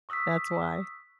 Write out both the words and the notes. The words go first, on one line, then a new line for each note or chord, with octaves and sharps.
That's why.
C#6 D#6 E6 F#6 B6